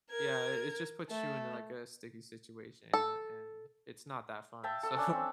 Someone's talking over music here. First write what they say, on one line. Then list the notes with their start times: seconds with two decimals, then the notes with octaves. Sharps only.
yeah, i it just puts you into, like, a sticky situation and it's not that fun. So,
0.11 A#4 G#6
1.09 A3
2.94 A4
4.64 E5 F5 G5 A5
4.83 A4 E6
4.97 C#4 D4 A5 D6
5.13 C4